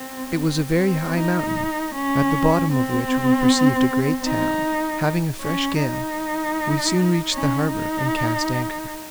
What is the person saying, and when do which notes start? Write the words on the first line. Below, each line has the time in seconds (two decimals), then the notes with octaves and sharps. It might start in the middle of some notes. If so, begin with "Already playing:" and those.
It was a very high mountain, at the bottom of which we perceived a great town: having a fresh gale, we soon reached the harbour, and cast anchor.
Already playing: C4
0.41 C4
0.79 C4
1.18 D#4
1.95 C#4
2.72 C4
4.25 D#4
5.40 C#4
5.79 D#4
7.33 C#4
7.71 D#4